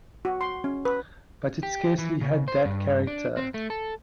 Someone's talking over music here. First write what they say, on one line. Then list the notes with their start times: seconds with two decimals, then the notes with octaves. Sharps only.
But it scarcely had that character.
0.25 F#4
0.41 C6
0.64 C#4
0.85 B4
1.63 G4
1.98 E3
2.21 C#3
2.48 C5
2.65 G2
3.07 D4
3.37 C4
3.54 A3
3.70 A4